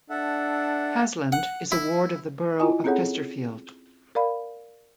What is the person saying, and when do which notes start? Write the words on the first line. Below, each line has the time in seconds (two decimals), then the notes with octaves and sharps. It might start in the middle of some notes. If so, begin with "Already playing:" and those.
Hasland is a ward of the Borough of Chesterfield.
0.10 D4 A4 E5 F#5
1.32 F#5
1.72 E4
2.60 E4 F4 D#5 G#5 D#6
2.84 C4 C#4 G#4 A4 C#5 F#5
4.15 A#4 D5 F5 B5